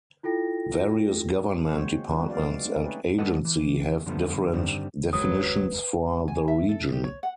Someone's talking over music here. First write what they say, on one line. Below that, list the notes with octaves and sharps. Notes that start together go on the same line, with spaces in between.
Various Government Departments and agencies have different definitions for the region.
E4 F4 A4 G5 A#6
G#3 A#3 C4 F#4 C5 C#5
E3 F#3 D4 F4 B4
G#3 F#4 D5 F5
A3 C4 C#4 D#4
G#4 B4 C#5
G3 G#3 A4 B4 D#5 F#5
E3
F#2 D3 F3 G3 A3 B3
G2 D3 D#3 G3 C4
F#1 D#2 F#3 G#3 B4 D#6
G#5
E5
A4
G4
C#5
F#5